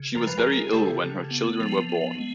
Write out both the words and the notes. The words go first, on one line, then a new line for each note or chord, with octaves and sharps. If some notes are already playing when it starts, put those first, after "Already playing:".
She was very ill when her children were born.
Already playing: C#3
F3 A#4
B4
G#4 A#4
G#3
C#3 G4 A4
C#3
B3
F3
B3
G#3